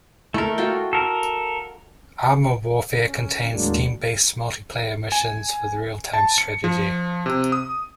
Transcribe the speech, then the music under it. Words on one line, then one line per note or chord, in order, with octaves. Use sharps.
"ArmA Warfare" contains team-based multiplayer missions with realtime strategy.
A3 E4 A4 A#4
F4 F#4 G5
A4 A#4
C#4
D#2 A2 F#3 G#3 A#3 D4
G#5
A5
C#7
F3
C3
D#6